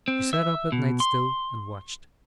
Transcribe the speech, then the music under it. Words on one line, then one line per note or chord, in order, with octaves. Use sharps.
She sat up at night still, and watched.
C4
E5
B2
C6